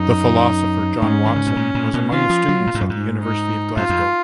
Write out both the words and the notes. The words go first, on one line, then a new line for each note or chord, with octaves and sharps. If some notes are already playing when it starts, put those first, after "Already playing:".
The philosopher John Watson was among his students at the University of Glasgow.
Already playing: F#2 D#4
G#2 C#4
D#3
C#3
B2
A#2
A#2
B2
D#3 F4
F3
F#3
A#2
G#2
F#2
G#2
D#4
F#2 F4
F2